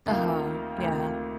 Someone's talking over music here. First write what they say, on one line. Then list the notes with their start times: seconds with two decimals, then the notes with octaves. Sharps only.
uh-huh, yeah
0.06 D2 C3 D#3 A#3 F4
0.78 D2 C3 D#3 A#3 F4